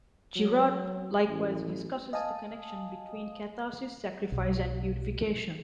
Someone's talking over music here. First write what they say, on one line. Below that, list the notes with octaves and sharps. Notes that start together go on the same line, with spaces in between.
Girard likewise discusses the connection between catharsis, sacrifice, and purification.
F#3
A1
D#5 F5 G#5 A5 D#6
B1